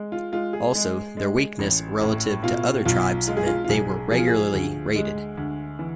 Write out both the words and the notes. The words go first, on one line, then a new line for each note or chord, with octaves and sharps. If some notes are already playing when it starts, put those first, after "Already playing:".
Also, their weakness relative to other tribes meant they were regularly raided.
Already playing: G#3
F4
G#3 F4
G#4
G#3
G#3
A1
A2
B2 F4
B1 F4
G#3 F4
G#4
F4
F4
B1 G#4
F3 G#4
F4
G#4
D2
G#3
D2
E3